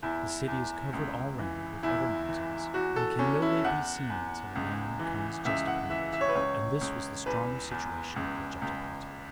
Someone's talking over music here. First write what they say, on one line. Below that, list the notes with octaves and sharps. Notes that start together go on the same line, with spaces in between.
The city is covered all round with other mountains, and can no way be seen till a man comes just upon it. And this was the strong situation of Jotapata.
E2 E4
E2
C#2
E3
E2 E4
E3
E2 F#4
A4
E2 C#4
E4
E2 F#5
E2
C#2
E3
C#2 E5
F#5
E3 E5
E5
C#5
B4
C#2 C#5
C#2
E2 B4
E2
C#2
C#2